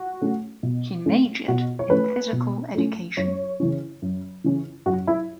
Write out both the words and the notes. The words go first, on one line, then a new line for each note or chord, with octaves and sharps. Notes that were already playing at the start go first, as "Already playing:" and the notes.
He majored in physical education.
Already playing: F#4
A3 C#4
B2
A3 C#4
B2 F#4
C#5
A3 C#4 B4
B2
A3 C#4
F#2 C#5
C#3 E3 C#4
F#2
C#3 E3 C#4
F#2 F#4
E4